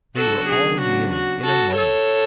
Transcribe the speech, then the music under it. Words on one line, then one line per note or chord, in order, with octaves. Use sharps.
They were all kneeling, in a moment.
C#3 F#3 B3 D4 F#4 A4
G#4
F#4
F#4
F#4 A4
A4 C#5